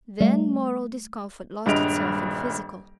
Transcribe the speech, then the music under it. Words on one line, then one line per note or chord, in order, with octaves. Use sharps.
Then moral discomfort lost itself in physical.
G3 A3
D#1 G2 G#3 D#5 D7 F7